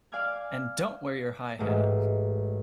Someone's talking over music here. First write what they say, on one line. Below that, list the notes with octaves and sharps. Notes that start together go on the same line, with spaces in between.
And don't wear your high hat!
D5 F5 G#5 D6 F6 G#6
A1 G#2 G#3 A3